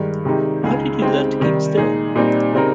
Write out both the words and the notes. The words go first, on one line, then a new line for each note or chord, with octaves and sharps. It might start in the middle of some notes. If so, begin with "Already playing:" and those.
How did you learn to keep still?
Already playing: G2 D#3 G#3
C3 D#3 G#3 D#4 G4
C#2 C#3 G#3 D#4 G#4
C#3 G#3 C4 D#4 G4
C3 D#3 G3
A#2 G#3 D#4 G#4
A#2 G3 C4 D#4
C#3 G3 C4 D#4 A#4